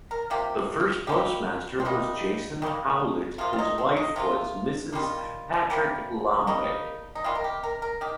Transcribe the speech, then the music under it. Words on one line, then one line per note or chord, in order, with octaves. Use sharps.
The first postmaster was Jason Hollett His wife was Mrs. Patrick Lambe.
A#4
C3 F3 A#3 G4
D#3 G3 A#3 G4
C4
C3 G3 A#3 D#4
D#3 G3 A#3
C3 F3 A#3 F4
C4
D#4
C4
D#4
C3 F3 A#3 F4
D#3 G3 A#3 F4
C3 G3 A#3
D#3 G3 A#3 D#4
D#4
C3 D#3 G3 F4
A#4
G4
A#4
A#4
D#3 G4